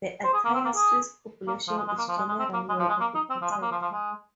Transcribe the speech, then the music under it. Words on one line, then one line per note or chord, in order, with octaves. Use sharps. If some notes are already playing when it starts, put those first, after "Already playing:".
The entire Swiss population is generally well educated.
C5
G#4
A#3
C4
A#3
G#4
A#3
F3
G#3
G#3
A#3
F3
G#3
G#3
C4
A#3
G#3
F3
G#3
A#3
D#4
C4
F3
G#3
A#3
F3
F3
G#3